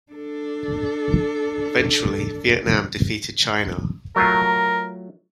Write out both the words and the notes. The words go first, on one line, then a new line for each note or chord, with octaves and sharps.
Eventually, Vietnam defeated China.
D4 A4
F#3 A3 F4 A#4